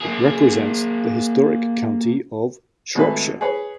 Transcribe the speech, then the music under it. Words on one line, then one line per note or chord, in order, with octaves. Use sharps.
It represents the historic county of Shropshire.
A#3 G#4
G#1 G#3 A3 B4 G#5 B5
G#4 B4 C#5 B5